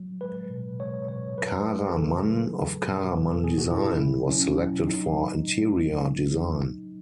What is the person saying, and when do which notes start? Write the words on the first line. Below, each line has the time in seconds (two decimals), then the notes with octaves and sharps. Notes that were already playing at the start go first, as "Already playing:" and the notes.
Kara Mann of Kara Mann Design was selected for interior design.
Already playing: F#3
0.21 G#3 B4
0.50 B2
0.79 G#3 C#5
1.09 B2 C#5
1.38 F#3 B4
1.67 F#3
1.88 G#4
1.96 C#3 A4
2.25 F#3
2.54 F#3
2.83 B2
3.13 F#3 B4
3.31 A4
3.41 B2 G#4
3.58 F#4
3.70 F#3 E4
4.00 C#3
4.29 F#3 C#4
4.58 F#3
4.87 F#3 D#4